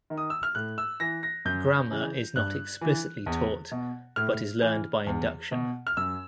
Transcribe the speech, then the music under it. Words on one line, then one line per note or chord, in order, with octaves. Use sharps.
Grammar is not explicitly taught, but is learned by induction.
D#3
D#6
E6
F6
A2 F#6
E6
E3 A#6
A#6
F#2 G6
C#3 E3
G2 F#6
E3
E2
B2
A2 F6
E3
E2
B2
F6
F#2 E6